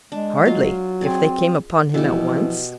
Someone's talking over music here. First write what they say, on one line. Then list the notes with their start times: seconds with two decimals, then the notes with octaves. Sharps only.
Hardly, if they came upon him at once.
0.12 G#3 D4
0.45 F#3 F4 F5
1.01 C4 G#4 D5 G#5
1.94 B2 E3 F3 G4